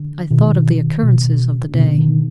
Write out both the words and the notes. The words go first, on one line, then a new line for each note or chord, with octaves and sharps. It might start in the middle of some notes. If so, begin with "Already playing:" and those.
I thought of the occurrences of the day.
Already playing: D3
B2 D#3
B2
B2 D3
D#3